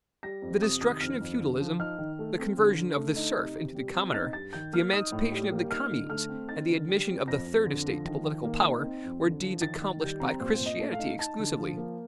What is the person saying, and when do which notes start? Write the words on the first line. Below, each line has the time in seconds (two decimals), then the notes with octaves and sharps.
The destruction of feudalism, the conversion of the serf into the commoner, the emancipation of the communes, and the admission of the Third Estate to political power, were deeds accomplished by Christianity exclusively.
0.23 G3 A#6
0.42 F2
0.62 C3 D#6
0.81 D#3 D#6
1.01 F2 F6
1.21 F2
1.40 D3
1.60 F3
1.80 D#4 F6
1.98 D#3
2.19 A3
2.38 C4
2.57 D3
2.78 D3
2.96 A3
3.16 D#4
3.36 C3
3.56 C3
3.75 G3
3.95 C4
4.14 D#4 A6
4.33 G2 A6
4.53 D#3 G6
4.73 A#3 F6
4.93 D#4 D#6
5.12 A2
5.32 G3
5.52 A#3
5.71 D#4 F6
5.90 D3
6.10 A3 F6
6.29 C4
6.49 D#4 A6
6.69 D3
6.89 G3
7.08 C4
7.27 F2 A#6
7.46 F2
7.66 D3
7.86 F3
8.05 D#3
8.25 D#3
8.45 A#3
8.64 D#4
8.84 C4
9.04 F2
9.23 D3
9.42 F3
9.61 D#3 A6
9.81 D#3
10.01 G3 G6
10.20 C4 A#5
10.40 A#2 C5
10.55 C5
10.60 A#2
10.66 D#5
10.80 A3
10.92 F5
10.99 D#4
11.19 D#4 A5
11.39 D3
11.58 F3
11.77 A#3